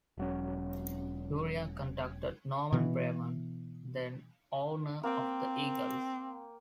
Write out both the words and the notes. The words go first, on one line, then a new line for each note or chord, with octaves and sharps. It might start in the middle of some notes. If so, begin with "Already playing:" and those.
Lurie contacted Norman Braman, then-owner of the Eagles.
E1 F#3 C#4
B2 E3
A#3 C4 G5